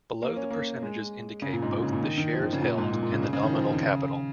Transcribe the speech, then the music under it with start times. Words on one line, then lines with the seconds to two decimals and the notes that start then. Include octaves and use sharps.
Below, the percentages indicate both the shares held and the nominal capital.
0.22 A#3
0.36 C#4
0.51 A#3
0.83 G#3
1.42 C#3
1.53 A#2
1.62 G#2
1.72 A#2
1.82 C#3
1.93 A#2
2.03 D#3
2.18 D#3
2.33 F3
2.42 D#3
2.53 C#3
2.62 A#2
2.78 G#2
2.92 A#2
3.03 A#2
3.12 C#3
3.22 C#3
3.33 C#3
3.43 D#3
3.52 F3
3.63 F3
3.73 D#3
3.83 C#3